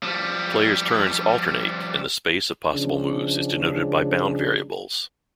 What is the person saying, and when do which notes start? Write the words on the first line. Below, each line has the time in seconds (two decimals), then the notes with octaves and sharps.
Players' turns alternate and the space of possible moves is denoted by bound variables.
0.03 F3 G3
2.72 C#3 F3 C#4 D4 G#4